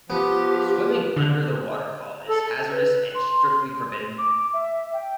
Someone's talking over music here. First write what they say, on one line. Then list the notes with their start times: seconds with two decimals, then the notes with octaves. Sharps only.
Swimming under the waterfall is hazardous and strictly forbidden.
0.10 F3 B3 G4
1.17 D3
2.29 A4
2.71 B4
3.15 C6
4.18 D6
4.53 E5
4.93 G5